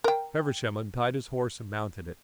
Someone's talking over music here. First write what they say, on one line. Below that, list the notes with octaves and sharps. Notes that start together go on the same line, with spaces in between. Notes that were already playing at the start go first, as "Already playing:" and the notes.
Feversham untied his horse and mounted it.
A#4 G5